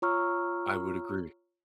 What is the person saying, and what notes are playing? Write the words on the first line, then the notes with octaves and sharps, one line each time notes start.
I would agree.
F4 C#5 A#5 C#6 E6 F6